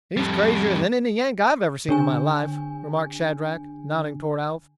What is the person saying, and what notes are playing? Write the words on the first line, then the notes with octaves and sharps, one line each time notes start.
"He's crazier than any Yank I've ever seen in my life," remarked Shadrack, nodding toward Alf.
F2 G3
D3 D4 G#5